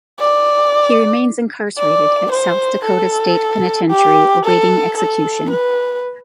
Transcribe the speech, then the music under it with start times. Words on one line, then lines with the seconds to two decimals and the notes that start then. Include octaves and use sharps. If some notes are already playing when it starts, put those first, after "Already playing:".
He remains incarcerated at South Dakota State Penitentiary awaiting execution.
0.19 D5
1.78 D5
2.32 C5
2.85 A4
3.91 G4
4.45 A4
4.97 A4
5.51 B4